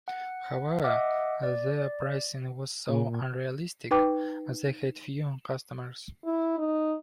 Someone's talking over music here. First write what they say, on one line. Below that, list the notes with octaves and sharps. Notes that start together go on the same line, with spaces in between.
However, their pricing was so unrealistic, they had few customers.
F#5
D#5 E5 F#5 D6
D5
A#2
D#4 B4 G5 D6
E4
D#4